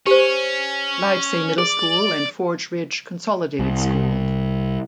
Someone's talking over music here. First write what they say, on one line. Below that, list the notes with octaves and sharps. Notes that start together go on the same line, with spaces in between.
Livesay Middle School and Forge Ridge Consolidated School.
C#4 G4 C5
G#4 D5
C2